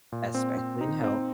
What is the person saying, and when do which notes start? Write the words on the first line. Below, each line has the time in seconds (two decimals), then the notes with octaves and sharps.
especially in health,
0.12 A#2
0.35 C4
0.58 C4
0.81 D#4
1.04 C4